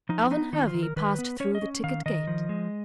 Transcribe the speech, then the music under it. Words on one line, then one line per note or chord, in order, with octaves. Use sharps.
Alvan Hervey passed through the ticket gate.
F3 D#4
B3 D#4
D#3 D#4
F4
D#3
A#4
D#3 B4
B3
C#4 C#5
D#5
C#4
D#3 F5
D#3 D#5
F3
G#3